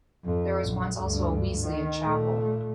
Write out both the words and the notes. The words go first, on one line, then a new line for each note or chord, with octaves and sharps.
There was once also a Wesleyan chapel.
F2
A#1 F#2
D2 G2
D#3
A#2 A3